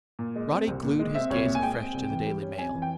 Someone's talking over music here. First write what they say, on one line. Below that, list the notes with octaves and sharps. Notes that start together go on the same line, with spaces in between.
Roddy glued his gaze afresh to the Daily Mail.
A#2
G#3
C4
C2
A#2
G#3
C4 E5
C2 C#5
A#2
G#5
G#3 G5
C4
C2
E3
G3
C#4
F2 G#5
E3
G5